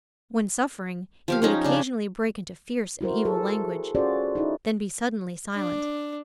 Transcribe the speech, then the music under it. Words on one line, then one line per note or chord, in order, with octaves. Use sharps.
When suffering, he would occasionally break into fierce and evil language, then be suddenly silent.
F3 G4 F5
F3 C#4 D#4 A#5
C#3 D4
E4 F#4 A#4 C5
G#4 A4
C#4 F4 F#4 G#4 C5 D5
D#4 E4
D4